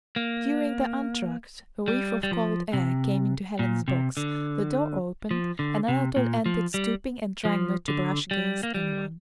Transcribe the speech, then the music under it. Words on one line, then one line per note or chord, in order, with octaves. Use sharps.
During the entr'acte a whiff of cold air came into Helene's box, the door opened, and Anatole entered, stooping and trying not to brush against anyone.
A#3
G3
G3
F3
C3
A#2
C3
D3
F3
D3
C3
A#2
F3
G3
F3
D3
G3
A#3
G3